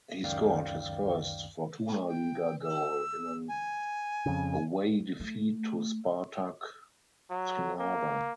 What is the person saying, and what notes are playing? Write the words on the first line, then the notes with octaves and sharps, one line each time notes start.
He scored his first Fortuna Liga goal in an away defeat to Spartak Trnava.
C#2 F#2 D#3 D5 F5 G5
G5
E6
G#5
F2 C#3
A3
F#3
A#3